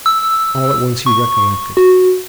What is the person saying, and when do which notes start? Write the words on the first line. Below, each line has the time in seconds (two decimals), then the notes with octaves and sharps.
All at once he recollected.
0.06 E6
1.06 C#6
1.77 F#4